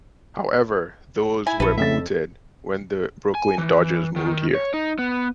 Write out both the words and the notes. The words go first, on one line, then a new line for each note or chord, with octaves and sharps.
However, those were mooted when the Brooklyn Dodgers moved there.
E4 G#5
A#1 A4 B4
F2 C#3 A3 E5 E6 A6
G#5
E3
D#3
C#5
D#4
B3